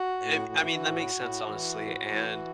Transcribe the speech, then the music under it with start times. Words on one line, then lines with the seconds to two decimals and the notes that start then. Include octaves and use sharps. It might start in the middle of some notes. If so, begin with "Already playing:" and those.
And, I mean, that makes sense, honestly, and,
Already playing: F#4
0.21 A2
0.53 E3
0.84 A2
1.15 A2
1.47 E3
1.78 A2
2.10 E3